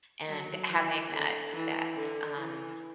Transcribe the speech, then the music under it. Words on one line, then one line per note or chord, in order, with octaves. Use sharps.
and having that that, um,
F#3
E3
D3
E3
D3
E3